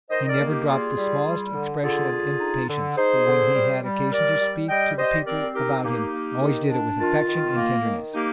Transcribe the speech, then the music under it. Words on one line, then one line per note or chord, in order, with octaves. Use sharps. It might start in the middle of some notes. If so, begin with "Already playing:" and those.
He never dropped the smallest expression of impatience; but when he had occasion to speak to the people about him, always did it with affection and tenderness.
D#3 C5 D#5
A#4 D5
A#3
D#4 G4
G3 F4 G#4
G3
G3
D3
D3 F4 G#4
D3
D#4
D3
D#4 G#4 C5
D3
G3
G3
G3 A#4 D5
G3
G3 D#5 G5
G3 C5 D#5
C4 A#4 D5
D#4 G4 A#4
A#3 D#4 G4
A#3
D#3
D4
D#3 F4
D#3
A#3
D#3
A#3 D#4 G4